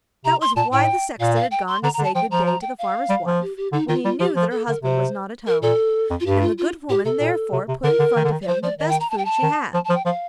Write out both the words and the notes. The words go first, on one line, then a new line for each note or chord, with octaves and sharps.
That was why the sexton had gone to say good-day to the farmer's wife when he knew that her husband was not at home, and the good woman therefore put in front of him the best food she had.
C3 A#5
C6
A#2 A5
A2 G5
A#2 F5
F5
G5
C6
D3 A#5
A#5
D3
A5
F3 G5
F3 A#5
A#5
G5
F5
G3
F3
G4
G4
D3 D#4
D#3 F4
G3 F4
F3 G4
F3
A4
D3 A#4
C3 C5
A#4
A#2 A4
F2
F4
G2 G4
F4
F4
A2 G4
C3 A4
A#2
C3
C3
D3 A#4
D3
D#3
D3
D#3
D5
F3 C5
F3 D5
D#3 D#5
G5
A#5
A5
G5
A5
D#3
F3 A5
A5
F3
G5
F3 F5